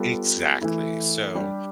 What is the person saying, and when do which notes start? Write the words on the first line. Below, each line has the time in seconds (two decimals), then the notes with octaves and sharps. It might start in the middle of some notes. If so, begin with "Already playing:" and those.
Exactly, so
Already playing: G3 B3 F4 A4
0.62 E3 A3 E4
1.35 G3 D4 G4